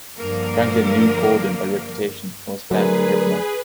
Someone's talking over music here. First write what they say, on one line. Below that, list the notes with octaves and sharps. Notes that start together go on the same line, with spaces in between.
Franklin knew Colden by reputation and was flattered to hear from him.
G2 D3 F3 A#3 A#4
D3 F#3 A3 G#4 A#4 B4